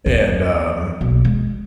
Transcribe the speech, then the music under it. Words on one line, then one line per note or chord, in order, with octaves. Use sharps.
And um,
D#2
B1
G#3